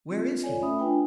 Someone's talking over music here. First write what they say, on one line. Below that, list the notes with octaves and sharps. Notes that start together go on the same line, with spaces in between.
Where is he?
C4 F4
F4 A4 C#5 D5 G#5
A3 C#4 E5 B5 D#6
D4 F4 B4 G5 G#5